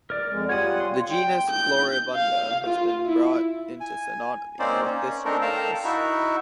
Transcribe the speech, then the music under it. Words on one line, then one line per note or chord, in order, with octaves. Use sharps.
The genus Floribunda has been brought into synonymy with this genus.
A#4 D5
F2 G#3
G3 F4 C#5 F#5 G#5 D#6
C6
G5
G6
F5
F4
E4
G#5
A#3 C4 C#4 D#4 C5 D5
C#4
A3 C4 D4 D#4 A4 A#4
A4 A#4 F5 G5 A5 A#5
D#4 E4 F#4 E5